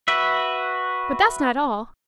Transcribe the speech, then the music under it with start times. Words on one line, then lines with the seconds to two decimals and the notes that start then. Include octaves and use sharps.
But that's not all.
0.08 F#4 B4 E5